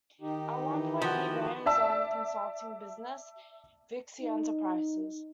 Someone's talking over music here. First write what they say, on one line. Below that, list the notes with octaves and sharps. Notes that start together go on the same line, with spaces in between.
At one point he ran his own consulting business, Vixie Enterprises.
D#3 D#4 G4
E3
F3 F#4 G#5
D5 E5 A5 E6
D#4